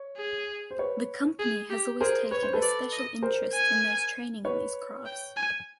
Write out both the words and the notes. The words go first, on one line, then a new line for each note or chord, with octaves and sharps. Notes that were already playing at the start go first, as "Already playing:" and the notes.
The Company has always taken a special interest in those training in these crafts.
Already playing: C#5
G#4
C5
B4 C#5
G#4
G4
G#4 A#4 C5
B4 C#5
C5
A4 B4
D5
D#5
A#4 C5
G#5
B4 C#5
G5
G#5